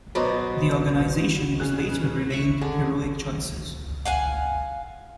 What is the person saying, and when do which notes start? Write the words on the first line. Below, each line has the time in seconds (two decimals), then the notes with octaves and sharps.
The organization was later renamed Heroic Choices.
0.15 B2 F#3 B4 C5 D5 D#5
1.60 C#3 G#4 F#6
2.30 E5 B5 C#6
2.61 D3 G#4
4.05 F5 F#5 G#5